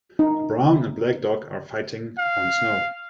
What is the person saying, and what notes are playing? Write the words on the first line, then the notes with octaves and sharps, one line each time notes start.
A brown and black dog are fighting on snow.
D#4
F5